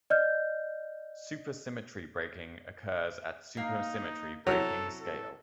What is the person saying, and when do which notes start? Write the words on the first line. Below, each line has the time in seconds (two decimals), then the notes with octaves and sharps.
Supersymmetry breaking occurs at supersymmetry breaking scale.
0.10 D5 D#5 F6 G6
3.57 A#3 D#4 F5
4.47 C3 F#3 E4 A4
5.01 A4